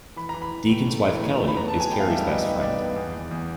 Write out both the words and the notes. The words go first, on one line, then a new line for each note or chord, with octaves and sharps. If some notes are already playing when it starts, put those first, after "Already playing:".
Deacon's wife Kelly is Carrie's best friend.
E3 B5
A#5
E3
B5
E3
A2
A3
E3
A3
A3
B5
B3 A#5
A5
F#3
G#5
B3 G5
F5
G2 E5
F5
B3 D#5
D#3
B3 D5
B3
E2
E2
E2